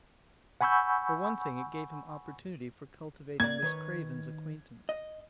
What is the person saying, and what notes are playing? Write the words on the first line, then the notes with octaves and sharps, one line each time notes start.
For one thing, it gave him opportunity for cultivating Miss Craven's acquaintance.
F#5 G#5 B5 C#6 E6 G6
A#3 D5 G#6
D#3 B4 C#5
D#5